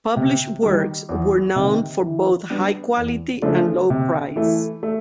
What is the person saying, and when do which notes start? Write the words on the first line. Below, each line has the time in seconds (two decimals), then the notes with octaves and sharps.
Published works were known for both high quality and low price.
0.16 C3
0.63 D#3 G3
1.09 E2
1.55 C3 D#3
2.03 E3
2.50 G3 B3 D4 G4
2.97 E2
3.42 C#3 F3 A3 D4
3.90 C3
4.36 E3 A3
4.83 A3